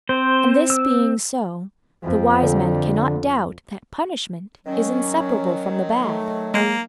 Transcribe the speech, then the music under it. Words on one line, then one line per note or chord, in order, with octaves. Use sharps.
And this being so, the wise man cannot doubt that punishment is inseparable from the bad.
C4 C5
E6
F2
D3
D#3 F#3 C#4
A3
G#3 A#3